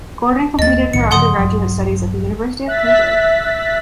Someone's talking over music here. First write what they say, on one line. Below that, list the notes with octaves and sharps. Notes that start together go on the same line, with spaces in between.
Gordon completed her undergraduate studies at the University of Cambridge.
D#2 A#3 D#5 A6
B1 A2 D#3 C#7
G2 C#3 F3 F#5 C6 D#6
A#1 G2 F#3
E5 F#6 A6 B6